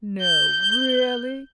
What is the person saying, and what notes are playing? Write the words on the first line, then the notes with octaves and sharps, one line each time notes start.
'No, really?
G6